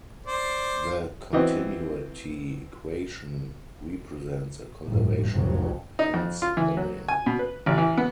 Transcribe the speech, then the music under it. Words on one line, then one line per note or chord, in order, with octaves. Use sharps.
The continuity equation represents a conservation law, hence the name.
C5 D5
E3 B3 C4 F#4 D#5
G1 F2 A2
F1 B1 F#2 C3 F#3
D#4
F2
F4
E3
F#3
G#5
B2
B4
A1
E3
B3